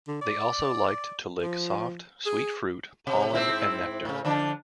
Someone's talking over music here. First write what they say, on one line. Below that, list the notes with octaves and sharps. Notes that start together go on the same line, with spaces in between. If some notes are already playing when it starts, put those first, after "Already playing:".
They also liked to lick soft, sweet fruit, pollen and nectar.
D3
D5
F3
G#4
C3
G#2 C4 E4
A2 C#3
D3 F3 D4